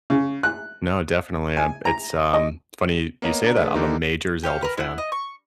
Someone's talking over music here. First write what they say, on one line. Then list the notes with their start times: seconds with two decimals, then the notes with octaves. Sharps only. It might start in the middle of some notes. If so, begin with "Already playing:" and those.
No, definitely, um, it's um, funny you say that, I'm a major Zelda fan,
0.10 C#3
0.43 F#6
1.57 G#5
1.85 A#5
2.34 D#5
3.22 A#3 B3 C#5 D#5 A#5
3.42 D4 D5 A#5
3.55 A3 D4 G#4 B4
3.74 D3 E3 A#3 D#4 G4
4.43 G4 C#5 F5
4.62 A#4 B4
4.77 E4 F#4
4.98 D#5
5.12 C#6